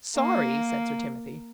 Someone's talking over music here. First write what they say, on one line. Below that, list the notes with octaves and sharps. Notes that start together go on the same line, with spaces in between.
"Sorry!" said Sir Timothy.
A#3